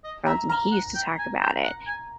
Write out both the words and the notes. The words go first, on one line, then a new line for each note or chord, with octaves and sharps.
Thrones," and he used to talk about it.
D#5
E5 A#5
F5 A#5
F#5
G5
G#5
G5
F#5
G#5